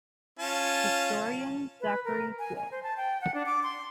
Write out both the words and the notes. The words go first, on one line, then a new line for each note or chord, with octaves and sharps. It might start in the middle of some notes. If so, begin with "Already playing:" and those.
Historian Zachary J.
C#4 F4 A5
B4
A#4
G#5
G#5
C5
A5
G5
F#5
D4
D6
C6